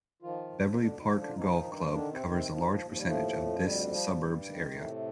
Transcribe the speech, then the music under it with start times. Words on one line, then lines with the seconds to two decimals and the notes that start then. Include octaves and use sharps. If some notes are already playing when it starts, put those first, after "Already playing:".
Beverley Park Golf Club covers a large percentage of this suburb's area.
0.22 D#3 F3 F4
0.51 F2
0.79 D2 D3 D4
0.98 D#3 D#4
1.08 F3
1.17 D3 D4
1.28 F4
1.36 D#3 F3 D#4
1.64 G2
1.91 D3 D#3 D4
2.11 C3 C4
2.20 D#3
2.30 C3 C4
2.49 F3
2.77 D#2
2.90 F3
2.97 G3
3.05 A2 F3 A3
3.34 F2
3.61 D2 G3
3.89 F3
4.17 G2
4.46 D#3
4.74 A2 C3 A3